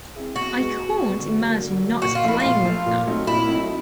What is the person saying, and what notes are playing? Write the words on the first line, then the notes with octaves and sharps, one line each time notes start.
I can't imagine not playing with them.
C4 E4 G#4
B2 F#4
G#3 B3
B2
G#3 B3
D3
F#3 A#3
D3
F#3 A#3
A#2 F#4
F4
F3 A3 E4
A#2 F4
F3 A3
A#2
F#3 A3 C4 D#4
A#2 E4
F#3 A3 C4 D#4